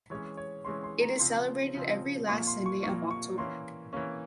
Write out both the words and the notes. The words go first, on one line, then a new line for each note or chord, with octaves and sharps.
It is celebrated every last Sunday of October.
E3 G#3 C#4 C#5
C#5
E3 G#3 C#4 C6
C6
A#5
C#3 F3 C4 C6
C#3 F3 C4
A#2 F3 A#3 C#6
C6
C#6
A#2 F3 A#3 C#6
C#6
E3 A#3 C#4 C6
E3 A#3 C#4